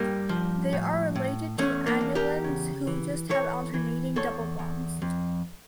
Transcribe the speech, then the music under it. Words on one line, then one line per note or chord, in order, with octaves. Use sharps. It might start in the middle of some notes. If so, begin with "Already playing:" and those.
They are related to annulenes who have just alternating double bonds.
Already playing: G2 G3 A#3
F3
A2
A2
E2 A3 C#4
A#3 D4
E2
G4 A#4
C#3
E3
E3 A4 C#5
E3
E2 A4 C#5
E2
F2